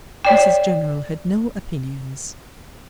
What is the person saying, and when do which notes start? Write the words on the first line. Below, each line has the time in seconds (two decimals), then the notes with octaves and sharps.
Mrs General had no opinions.
0.25 C#5 D5 G5